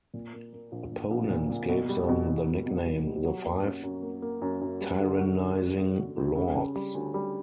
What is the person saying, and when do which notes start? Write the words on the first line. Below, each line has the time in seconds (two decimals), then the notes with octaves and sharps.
Opponents gave them the nickname "the five tyrannising lords".
0.14 A#2
0.33 A#3
0.53 A#3
0.72 A#1
0.92 A#2
1.11 A#1
1.30 A#2
1.49 A#2
1.69 B2
1.89 G3
2.09 B2
2.27 B2
2.47 B2
2.66 B2
2.85 G3
3.05 G3
3.25 F#3
3.44 A#3
3.63 F#2
3.83 F#2
4.03 A#3
4.22 A#3
4.42 F#2
4.61 F#2
4.81 G3
5.00 D3
5.20 F#4
5.39 D3
5.59 G3
5.77 C#4
5.97 F#4
6.16 G3
6.35 C#3
6.55 C#3
6.76 G3
6.95 D2
7.14 G3